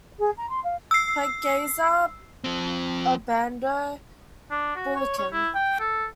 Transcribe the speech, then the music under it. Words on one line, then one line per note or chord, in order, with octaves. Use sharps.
Pag-Asa, Obando, Bulacan.
G#4
A#5
C6
F5
E6 C7
F3 C4
D4
F#4
C#5
C#5
E4
G5
A4